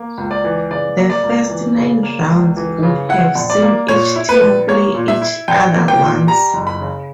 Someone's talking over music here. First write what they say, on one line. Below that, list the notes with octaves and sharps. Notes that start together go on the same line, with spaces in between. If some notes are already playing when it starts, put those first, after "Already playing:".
The first nine rounds would have seen each team play each other once.
Already playing: A#3
C#2
D5
E3
C#3 D5
A#3
D5
C#2
E3
C#3
A#3
C#2
E3
C#3
E4 F#5
A#1
D5
A#3
A#2 C#5
E4
B4
A#1
A#3 C#5
A#2
E5
E4
A#1 G5
A#3
G5
A#2
G3 A#5
F#1
B5
C#3